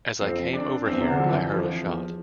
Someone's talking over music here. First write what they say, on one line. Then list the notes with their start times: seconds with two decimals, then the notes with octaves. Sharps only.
As I came over here, I heard a shot.
0.21 F2 C4
0.53 D4
0.86 E2 C4
1.00 C3
1.08 D3
1.20 F3
1.29 E3
1.50 F2 F3
1.84 E2